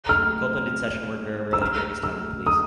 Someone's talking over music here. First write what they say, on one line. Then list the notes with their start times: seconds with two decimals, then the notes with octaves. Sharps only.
Copeland did session work very rarely during his time in The Police.
0.09 F6
1.53 E6
1.62 F6
2.03 E6
2.46 D#6